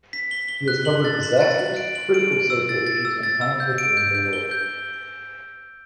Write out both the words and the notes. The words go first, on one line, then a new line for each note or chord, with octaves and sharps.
He has covered disasters, critical social issues and conflict around the world.
B6
G7
G7
F#6
F#7
A6
F#7
A6
F#7
D7
F#7
D7
D7
E6
A6
A6
E6
A6
E6
G6
D7
G6
G6
G7
G6